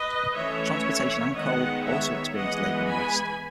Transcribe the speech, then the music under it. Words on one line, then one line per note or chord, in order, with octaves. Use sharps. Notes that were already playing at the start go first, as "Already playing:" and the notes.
Transportation and coal also experienced labor unrest.
Already playing: B4 D#5
E3 A3 C#4 C#5 E5
D#3 G#3 B3 D#5 F#5
C#5 E5
E3 G#3 B3 D#5 F#5
G#5 B5